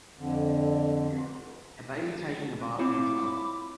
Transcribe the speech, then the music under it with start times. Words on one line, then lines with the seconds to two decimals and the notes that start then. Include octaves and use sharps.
A baby taking a bath in a tub.
0.19 F2 D3
2.79 C4 E4 F4 C#5 B5 D6